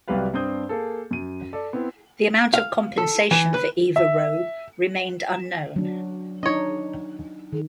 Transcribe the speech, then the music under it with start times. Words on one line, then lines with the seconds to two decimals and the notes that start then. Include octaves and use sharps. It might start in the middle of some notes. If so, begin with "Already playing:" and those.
The amount of compensation for Eva Rowe remained unknown.
0.08 C2 F#3 G3 G4 B4 F5
0.33 G2 C4 D4 C5 D#6 G6
0.69 A#3 G#4 A4
1.11 F#2 D#7
1.53 A4 D5
1.73 B3 C4 E4
2.54 F5
2.98 A4
3.31 E3
3.54 B4
3.96 E5
5.76 F#3 D4
6.43 D4 D#4 C#5 D#5
7.52 D#3